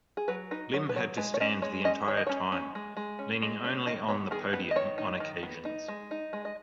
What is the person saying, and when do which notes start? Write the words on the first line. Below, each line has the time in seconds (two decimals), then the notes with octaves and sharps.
Lim had to stand the entire time, leaning only on the podium on occasions.
0.17 G#4
0.28 F#3 B4
0.51 D#4 B4
0.73 F#3 C#5
0.89 B4
0.96 F#3 C#5
1.17 G#3 B4
1.34 C#5
1.40 C#4 D#5
1.62 G#3 C#5
1.84 C#4 D#5
2.08 D#3 C#5
2.17 D#5
2.27 C#4 C#5
2.52 C#4
2.75 G#3
2.97 G#3
3.19 C#4
3.42 G#3
3.64 C#4
3.87 D#3 D#5
4.08 B3 C#5
4.31 D#3 G#4
4.53 B3 B4
4.71 D#5
4.76 D#3 C#5
4.98 D#4
5.20 D#3
5.43 B3
5.65 D#4
5.88 G#3
6.11 D#4
6.33 G#3
6.45 D#5